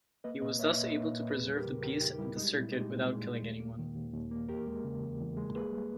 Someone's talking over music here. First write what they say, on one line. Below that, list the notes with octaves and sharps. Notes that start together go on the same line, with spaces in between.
He was thus able to preserve the peace at the circuit without killing anyone.
A#3 B4 D#5
A#2 B4 D#5
A#3 C#5 E5
A#2 B4 D#5
A#3
A#2
E2 G#4 B4
G3
G4 A#4
C#3
E2 G4 A#4
E2 D#4 G4
G3 E4
G#3 D#4
A#2 E4
G#3 D#4 G4
A#2
G#3
A#2
D#2
A#3
D#3
D#2
D#2
A#3
E2 G4 A#4
G#3
C#3
E2
E2
G#3
A#3 G#4 B4
G3